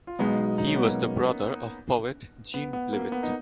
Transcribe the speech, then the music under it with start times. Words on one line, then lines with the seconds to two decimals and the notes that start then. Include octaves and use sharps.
He was the brother of poet Jean Blewett.
0.07 F4
0.19 B1 B2 G#3 B3 D#4
0.58 D#4
0.67 C#4
0.76 B3
0.85 A#3 C#4
2.54 B3
2.73 B3
2.93 A#3
3.12 B3
3.23 D#4